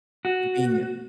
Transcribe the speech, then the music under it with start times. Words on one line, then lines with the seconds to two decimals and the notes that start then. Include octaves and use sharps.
you're being
0.25 F#4